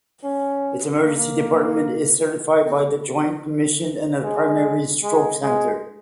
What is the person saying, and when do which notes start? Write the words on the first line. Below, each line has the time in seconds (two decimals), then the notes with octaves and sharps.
Its Emergency Department is certified by the Joint Commission as a Primary Stroke Center.
0.23 C#4
1.03 A#3
4.23 G#3
5.03 G#3
5.42 G#3